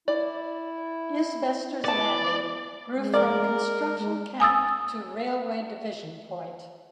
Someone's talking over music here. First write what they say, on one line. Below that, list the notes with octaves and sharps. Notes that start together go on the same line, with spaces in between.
Isbester's Landing grew from construction camp to railway division point.
E4 D5
B3 E4 D5 A5
G#3
A#4 D5
G#3
G#5 D#6 E6 A6